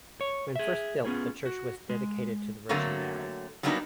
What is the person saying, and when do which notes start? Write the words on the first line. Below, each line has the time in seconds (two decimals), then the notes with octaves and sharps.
When first built the church was dedicated to the Virgin Mary.
0.21 C#5
0.56 G#4 E5
1.05 B3 C#4 F4 G#4
1.46 F#4
1.89 G#3
2.69 D3 F#3 A3 A#3 C4 F#4
3.63 F#3 G3 A#3 B3 D4 D#4